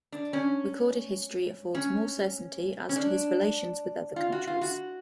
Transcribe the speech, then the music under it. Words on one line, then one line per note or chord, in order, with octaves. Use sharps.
Recorded history affords more certainty as to his relations with other countries.
D4
C#4
C#4
C#4
D4
F4
F#4
F4
F#4